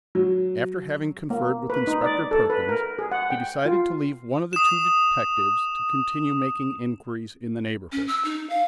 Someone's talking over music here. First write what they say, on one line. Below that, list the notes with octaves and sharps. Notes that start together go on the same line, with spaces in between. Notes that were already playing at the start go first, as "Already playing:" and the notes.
After having conferred with Inspector Perkins, he decided to leave one of the two detectives to continue making inquiries in the neighbourhood.
F#3
A#3
B4
D#4
D5
A4
B4
A#4
G#4
F#5
G5
F4
D#6 E7
C#4
E6
D#4
F5